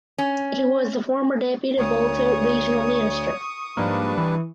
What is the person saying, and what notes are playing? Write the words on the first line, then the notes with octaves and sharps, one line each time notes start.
He was the former Deputy Volta Regional Minister.
C#4
D2 C#5 C#6 D#6
G#2 F3 G3 A#3 D4 B4
E3